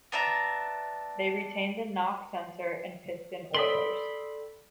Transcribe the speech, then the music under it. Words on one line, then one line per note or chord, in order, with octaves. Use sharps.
They retained the knock sensor and piston oilers.
B3 D4 E5 A#5
A4 D5 G5 B5 C6 D#6 B6 F#7